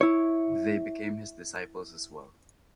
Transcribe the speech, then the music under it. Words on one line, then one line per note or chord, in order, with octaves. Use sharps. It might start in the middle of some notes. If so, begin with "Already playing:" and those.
They became his disciples as well.
E4 C#5